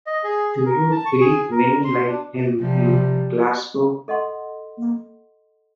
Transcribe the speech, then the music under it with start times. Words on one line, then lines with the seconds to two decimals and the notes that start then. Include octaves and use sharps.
Do you breed many like him in Glasgow?
0.07 D#5
0.24 G#4
0.52 G#4
0.66 A#4
0.91 A5
1.06 C#6
1.21 G#4
1.51 A#4
1.84 C6
2.07 D4
2.59 C3 F3 G3
4.08 A4 D#5 F#5 C6